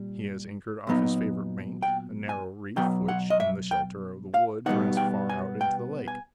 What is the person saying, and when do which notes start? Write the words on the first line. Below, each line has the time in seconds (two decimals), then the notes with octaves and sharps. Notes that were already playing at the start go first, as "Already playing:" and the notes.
He has anchored off his favourite bank, a narrow reef which, in the shelter of the wood, runs far out into the lake.
Already playing: A#2 G3
0.87 A#2 F#3 B3 D#4
1.82 G5
2.29 G#5
2.76 B2 F#3 B3 G5
3.08 F#5
3.30 D#5
3.40 E5
3.71 G5
4.34 F5
4.66 B2 G3 B3 D#4 F#5
4.97 G5
5.29 G#5
5.61 G5
6.08 G#5